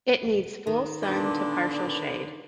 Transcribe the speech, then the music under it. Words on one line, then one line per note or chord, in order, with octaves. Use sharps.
It needs full sun to partial shade.
D#3
A#2 D3 B3 D4